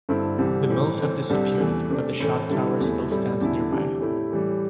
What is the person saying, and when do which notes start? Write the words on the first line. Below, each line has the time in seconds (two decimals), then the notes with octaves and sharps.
The mills have disappeared, but the Shot Tower still stands nearby.
0.09 G2 D3 C4 E4 A4
0.38 C2 C3 E3 G3
0.69 A2 E3 C4
0.99 A2 E3 C4 A4
1.29 C2 C3 G3 D4 A4
1.60 E2 E3 A3
1.90 C3 A3 D4
2.20 A2 E3 C4 A4
2.50 D3 G3 E4 A4
2.80 E2 C3 A3 E4
3.11 A2 G3 E4 A4
3.41 E2 D3 A3 E4
3.71 C3 E3 A3 D4 G4
4.00 A2 A3 E4 G4
4.32 A2 E3 G3